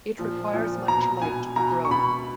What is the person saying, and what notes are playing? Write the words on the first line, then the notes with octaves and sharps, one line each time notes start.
It requires much light to grow.
A#2 F3
A#2 F3
B2 A#5
B2 G#5
B2 A#5
C#6
B2 B5